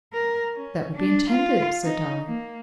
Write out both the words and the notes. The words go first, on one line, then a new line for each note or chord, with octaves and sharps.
"That would be intended," said Dolly.
A#4
C#4
D4
F4
D#4
A#3